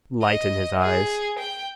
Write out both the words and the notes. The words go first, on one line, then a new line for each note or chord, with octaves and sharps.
Light in his eyes.
D#5
G#4
G5